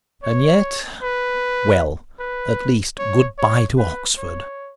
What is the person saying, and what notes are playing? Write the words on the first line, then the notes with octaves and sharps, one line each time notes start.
And yet--well, at least, good-bye to Oxford!
C#5
B4
B4
C#5
C#5
B4
C#5